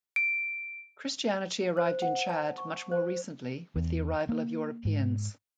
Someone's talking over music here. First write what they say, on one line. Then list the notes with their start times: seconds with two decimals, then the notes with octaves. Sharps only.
Christianity arrived in Chad much more recently with the arrival of Europeans.
0.16 D7
1.77 C5
2.02 F#5
2.29 A5
2.58 C#6
2.91 C5
3.76 E2
4.29 A#3
4.85 G#2